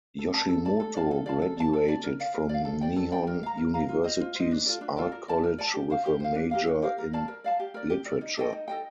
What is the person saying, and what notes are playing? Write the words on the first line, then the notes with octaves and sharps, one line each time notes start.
Yoshimoto graduated from Nihon University's Art College with a major in literature.
A4
D5 A5
A4
D5 A5
A4
D5 F5 A5
A4
D5 F5 A5
A4
D5 A5
A4
D5 A5
A#4
D5 F5
A#4
D5 F5
A4
D5 G5
A4
D5 G5
A#4
F5 A#5
A#4
F5 A#5
F4
C5 D#5
F4
C5
D#5
D4
F4 A4 D5
D4
F4 A4 D5
A#4
D5 A5
A#4
D5 A5
G4
C5 F5
G4
C5 F5
D4
G4 A#4 F5
D4
G4 A#4 F5
A#4
D5 F5 A5
A#4
D5 F5 A5
G4
A#4 D5
G4
A#4 D5
D#4
A4 D#5 G5
D#4
A4 D#5 G5